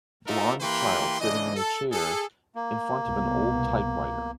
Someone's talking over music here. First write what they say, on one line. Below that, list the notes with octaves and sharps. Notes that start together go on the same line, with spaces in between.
Blond child sitting in a chair in front of an old typewriter.
D#4 F4 F#4 A4 A#4 E5
E3 A#3 G4 B4 G5 C6
C#3 E3 D4 D#5
A4
G#4 A4
A#3
C2 B2 B3